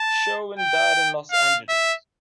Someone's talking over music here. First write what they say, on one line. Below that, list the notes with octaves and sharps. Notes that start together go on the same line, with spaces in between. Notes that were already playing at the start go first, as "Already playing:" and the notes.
Sherwin died in Los Angeles.
Already playing: A5
G5
F5
E5